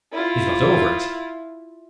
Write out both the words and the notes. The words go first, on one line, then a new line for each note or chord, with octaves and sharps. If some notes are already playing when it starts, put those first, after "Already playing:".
He's got over it.
E4 F4